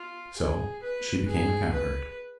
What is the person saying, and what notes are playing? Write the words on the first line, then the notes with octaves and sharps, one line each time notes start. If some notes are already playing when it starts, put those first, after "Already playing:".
So she became a cowherd.
Already playing: F4
G#4
B4
G#4
B4